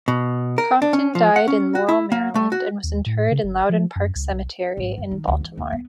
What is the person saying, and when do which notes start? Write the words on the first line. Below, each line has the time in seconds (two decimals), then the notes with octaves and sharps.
Compton died in Laurel, Maryland and was interred in Loudon Park Cemetery in Baltimore.
0.08 B2
0.58 A#4
0.82 D4
0.93 C#4
1.15 F3
1.36 F#5
1.48 C#4
1.75 F#4
1.89 E4
2.12 A#3
2.35 A3
2.52 F#4
2.84 D#2
3.06 A2
3.31 C#3
3.44 G1
3.70 F3
3.96 F#2
4.16 C#2
4.32 B1
4.77 G#1
4.98 F#2
5.11 D#3
5.28 D2
5.41 E3
5.57 D#2
5.72 B3